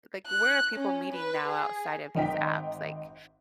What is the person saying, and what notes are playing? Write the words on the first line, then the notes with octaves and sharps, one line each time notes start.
like, where are people meeting now outside of these apps? Like,
F#6
C#4
B4
G#4
G#1 C4 D#4 G5 B6